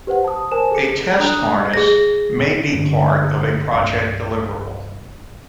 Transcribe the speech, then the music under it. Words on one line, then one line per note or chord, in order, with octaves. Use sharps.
A test harness may be part of a project deliverable.
G4 B4 C5 F#5
A5 D#6
A#4 C5 G#5 A5 E7
G#4 A4 C#7
D4 A#5 D#6 F#6 F7
G#4 A#6
G2 D3
C2 G2